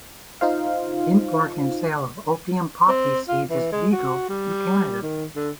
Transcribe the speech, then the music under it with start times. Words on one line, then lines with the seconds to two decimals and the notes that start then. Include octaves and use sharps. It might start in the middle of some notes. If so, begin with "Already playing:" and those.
The import and sale of opium poppy seeds is legal in Canada.
0.41 D#4 F4 C5 F5
2.88 C4
3.28 F4
3.50 E3
3.72 G#3
3.92 F#4
4.29 G3
5.02 D#3
5.36 D3